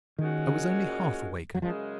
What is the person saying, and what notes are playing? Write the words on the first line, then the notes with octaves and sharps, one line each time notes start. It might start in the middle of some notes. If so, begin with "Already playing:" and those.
I was only half-awakened.
A#2 D#3 G#3 C#4 F#4
F#3
F#2 C#3 F3 G#3